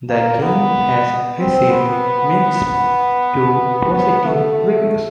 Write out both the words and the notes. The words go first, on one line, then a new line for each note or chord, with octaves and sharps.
The game has received mixed to positive reviews.
A#3
B3
C4
B3
B3
B3
A3